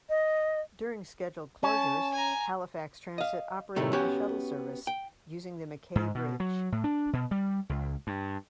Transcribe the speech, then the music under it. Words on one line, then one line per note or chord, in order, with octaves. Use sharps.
During scheduled closures, Halifax Transit operated a shuttle service using the MacKay Bridge.
D#5
C#4 A5
G#5 A#5
D#5 F5
A2 C3 D#3 G3 A3
B3 C#4 F#4 G4 G#5
G5
G#2
B2
F#3
A2
D4
B2
G3
C#2
G2